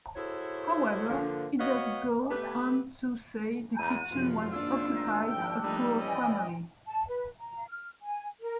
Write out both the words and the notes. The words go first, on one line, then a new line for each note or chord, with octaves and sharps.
However, he does go on to say the kitchen was occupied a poor family.
E4 F#4 G#4 A4 C5 C#5
D3 F3 A#3
B3 F#4 C#5 D#5 F5
A3 B3 G4 B4
E2 D#7
G#1 F#2 C3 F3 F4
A#3 D4 E6
F3 G5
F3 G3 A3 A#3 D4 D#4
E3 C#4 D5 D#5
A5
B4
A#5
F6
G#5
A#4